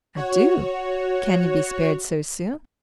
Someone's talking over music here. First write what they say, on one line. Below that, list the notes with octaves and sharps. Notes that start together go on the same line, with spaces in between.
"I do: can you be spared so soon?"
F#4 C#5